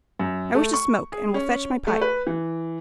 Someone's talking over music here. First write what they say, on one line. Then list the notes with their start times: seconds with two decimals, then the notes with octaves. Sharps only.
"I wish to smoke, and will fetch my pipe."
0.19 F#2
0.55 A3
0.73 C#6
1.12 G#4
1.34 C#4
1.87 A3
2.01 B4
2.27 E3